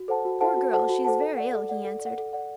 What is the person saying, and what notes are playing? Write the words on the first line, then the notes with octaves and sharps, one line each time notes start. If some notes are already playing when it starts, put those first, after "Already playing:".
"Poor girl, she is very ill," he answered.
Already playing: F#4
A4 C5 F#5 A5
F#4
A4 C5 F#5 A5
F#4
A4 C5 F#5 A5
F#4
A4 C5 F#5 A5
A4
D5 F#5
A4
D5 F#5
A4
D5 F#5
A4
D5 F#5